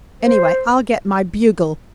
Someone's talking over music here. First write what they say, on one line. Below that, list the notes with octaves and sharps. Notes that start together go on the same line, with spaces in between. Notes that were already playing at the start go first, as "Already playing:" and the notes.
Anyway, I'll get my bugle.
C5